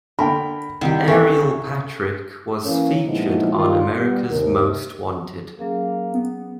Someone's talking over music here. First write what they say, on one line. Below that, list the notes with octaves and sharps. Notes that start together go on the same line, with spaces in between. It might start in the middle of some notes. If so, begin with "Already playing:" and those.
Ariel Patrick was featured on America's Most Wanted.
D3 A#4 G5 A5 B5
C2 D#3 G4
C#4 A4 E5
E3 A#3 C#4
A#2 F3 G#3 B3 D#4 E4
D#3 G3 F4
G3 B3
D#2 C3 A#4
F#3 A#3 C#4 G#4
B3